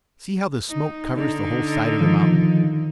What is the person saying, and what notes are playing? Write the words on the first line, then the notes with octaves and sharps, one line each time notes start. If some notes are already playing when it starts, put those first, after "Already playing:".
See how the smoke covers the whole side of the mountain.
D#4
D3 D#4
D#3 F3